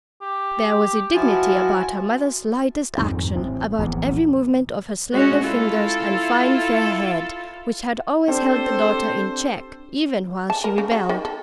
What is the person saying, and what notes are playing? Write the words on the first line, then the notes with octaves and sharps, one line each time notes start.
There was a dignity about her mother's lightest action, about every movement of her slender fingers and fine fair head, which had always held the daughter in check, even while she rebelled.
G4
F3 E4 F#4 G#5 A5
F2 G#2 D#3 C4
A1 C4
D1 A#1 E3 B3
G#3 C#4 F#4
E4 F4 A4
C4 D4 G4 A4 C5
A5
A#4
C#3
F#3
D#3
A4